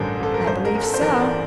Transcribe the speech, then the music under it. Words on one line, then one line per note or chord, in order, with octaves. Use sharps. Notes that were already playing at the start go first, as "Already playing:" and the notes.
"I believe so."
Already playing: A1 G2 D3 A4 A#4 C5
A1 A4
A#4
G2 C5
A#4
G1
A4
C5
E3 A#4
D5